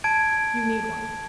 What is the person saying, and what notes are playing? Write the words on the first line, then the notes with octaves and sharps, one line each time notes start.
"You need one."
A5 G#6 D7